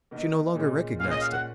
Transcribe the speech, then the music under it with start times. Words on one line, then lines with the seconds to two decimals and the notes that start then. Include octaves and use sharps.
She no longer recognized it.
0.11 B2 A#3 D#4
0.55 A#2 G#3 C#4
1.00 A#2 G#3 C#4 F5
1.11 D#5
1.21 F5
1.33 F#5